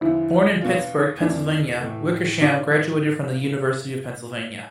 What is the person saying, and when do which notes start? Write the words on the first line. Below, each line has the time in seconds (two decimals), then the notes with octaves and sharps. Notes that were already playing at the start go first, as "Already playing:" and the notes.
Born in Pittsburgh, Pennsylvania, Wickersham graduated from the University of Pennsylvania.
0.01 E2 D3 F3 E4
0.61 B2 B3 D4 F4
1.21 F2 E3 A3 D4
1.80 A2 E3 A3
2.41 B3 D4 F4